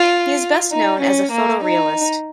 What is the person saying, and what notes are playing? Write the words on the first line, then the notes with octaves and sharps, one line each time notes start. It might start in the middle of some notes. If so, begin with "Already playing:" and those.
He is best known as a photorealist.
Already playing: F4
D#4
C#4
A#3
D#4